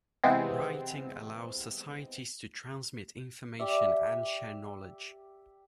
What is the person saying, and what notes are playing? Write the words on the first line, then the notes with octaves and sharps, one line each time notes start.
Writing allows societies to transmit information and share knowledge.
C3 E3 G#3 B3 C4
G4 D5 E5